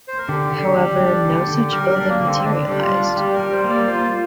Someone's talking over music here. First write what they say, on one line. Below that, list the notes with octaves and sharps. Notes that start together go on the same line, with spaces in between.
However, no such building materialised.
C5
A#4
D3 G4
D3
G3
D4
D3
D3
G3 A#4
A#4
D4
A#3
D3
C4
D3 D4
G3 G4
F4
D4
G3 G4
A#4
G3
C5
A#3
D5
F4 C5